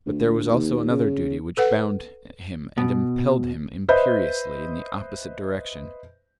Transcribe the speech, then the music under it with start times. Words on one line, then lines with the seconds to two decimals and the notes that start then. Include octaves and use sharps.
But there was also another duty which bound him and impelled him imperiously in the opposite direction.
0.06 D2
0.52 D#2
0.90 C#3
1.57 A4 B4 F#5
2.78 B2
3.88 B4 C5 D#5 E5 B5 G6